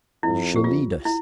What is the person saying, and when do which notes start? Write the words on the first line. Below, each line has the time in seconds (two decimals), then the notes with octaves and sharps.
You shall lead us.
0.23 F2 E4
0.56 G4
0.64 F4
1.05 E4